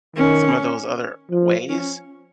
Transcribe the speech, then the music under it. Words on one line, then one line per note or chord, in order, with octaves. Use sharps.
some of those other ways,
D#3 C#4
F3
C#4